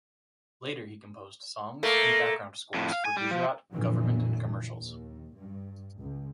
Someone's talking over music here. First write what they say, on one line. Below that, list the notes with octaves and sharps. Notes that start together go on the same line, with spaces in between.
Later he composed songs and background scores for Gujarat government and commercials.
A3 A#3
F2 A2
F5
G#5
G3
F3
F2 A#2 D3 E3 F#3
D#2
G2
C#2